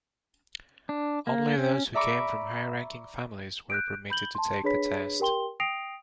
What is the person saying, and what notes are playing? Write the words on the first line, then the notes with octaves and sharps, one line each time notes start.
Only those who came from high-ranking families were permitted to take the test.
D4
A#3
C#4
D5 E5 A#5 B5 C#6 D6
F#6 G6 D7
B5 G6 F#7 G7
A5 C6
D4 G#4 B4 C#5 B5 B6
G4 A#4 G5 C6 G7
G5 D#6 A#6 C7 D7 F7